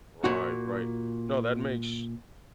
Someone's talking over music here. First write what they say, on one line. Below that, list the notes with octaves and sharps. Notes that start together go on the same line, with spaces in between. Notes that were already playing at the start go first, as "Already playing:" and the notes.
Right, right. No, that makes
A#2 F#4